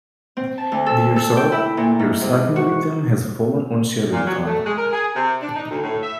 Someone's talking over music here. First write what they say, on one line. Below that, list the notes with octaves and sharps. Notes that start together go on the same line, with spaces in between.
Dear Sir, Your second victim has fallen on schedule time.
C4
A5
D2
A4
A4
G5
E4
A#2
G#2
C3
F#4
A#2
F#3
A3
G#3
A#4
G#4
C3
D4
D#4
D2
A2
E5